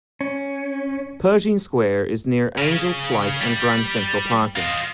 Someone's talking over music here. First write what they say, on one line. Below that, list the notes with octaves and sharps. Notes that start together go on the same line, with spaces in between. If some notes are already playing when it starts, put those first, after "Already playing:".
Pershing Square is near Angels Flight and Grand Central parking.
C#4
C#3
G3
F4 D#5